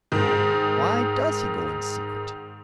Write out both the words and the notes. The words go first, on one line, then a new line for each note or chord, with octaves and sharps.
Why does he go in secret?
G#2 D#3